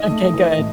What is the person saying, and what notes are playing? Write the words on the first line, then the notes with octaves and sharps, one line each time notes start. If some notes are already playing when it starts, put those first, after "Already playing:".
Okay, good.
Already playing: D#4 D#5
A3
E3
A2